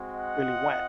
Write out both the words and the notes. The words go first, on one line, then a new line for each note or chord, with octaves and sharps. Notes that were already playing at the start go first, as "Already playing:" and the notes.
really went,
Already playing: G#3 C4 F#4
D#5 F#5
C4 F4